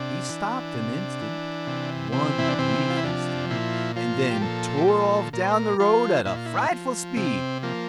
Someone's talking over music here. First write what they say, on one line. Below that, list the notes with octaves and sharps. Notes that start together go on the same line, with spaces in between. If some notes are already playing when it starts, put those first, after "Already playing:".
He stopped an instant, one brief instant, and then tore off down the road at a frightful speed.
Already playing: C3 D4
E3
C3
E3
C3
E3 C4
E4
D4
C3 C4
F4
E4
F3 D4
A#2 E4
F3 F4
G4
A#2 A4
G4
F3 A4
A#2 A#4
C5
A#4
F3 F4
A#2 E4
F4
E4
F3
C3 C4
F3 A#3